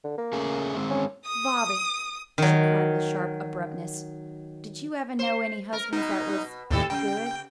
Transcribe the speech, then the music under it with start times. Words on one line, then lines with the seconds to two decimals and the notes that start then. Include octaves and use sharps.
"Bobby," she cried with sharp abruptness, "did you ever know any husbands that was--good?"
0.04 D3
0.18 A#3
0.33 A3 C#4 G#4
0.77 G#3 C4
0.90 C#4
1.25 D#6
2.38 D#3 F#3
5.19 C5
5.73 A#4
5.93 B2 D#4
6.71 D#2 A2 G3 A4
6.90 C#3 G5